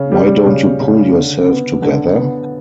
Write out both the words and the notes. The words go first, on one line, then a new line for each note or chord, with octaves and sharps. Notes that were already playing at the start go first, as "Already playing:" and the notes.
Why don't you pull yourself together?
Already playing: C#3
G3
C#3
C#3
D3
B3
D3
B3